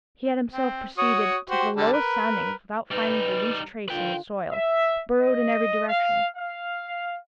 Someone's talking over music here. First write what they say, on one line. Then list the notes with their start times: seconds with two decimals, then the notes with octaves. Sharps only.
He had himself proceeded to the lowest soundings without finding the least trace in the soil, burrowed in every direction.
0.53 C4
0.98 F#4 C#5 D#6
1.50 F#4 G4 C5
1.77 D3 G3 A5
1.93 A#4 B4
2.91 G3 D#4 B4
3.88 D3 D#3 F4 B4 G5
4.51 E5
5.22 D#5
5.89 F5
6.37 F5